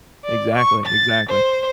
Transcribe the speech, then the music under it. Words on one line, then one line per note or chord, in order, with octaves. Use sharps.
Exactly, exactly.
D5
C#6
A6
C5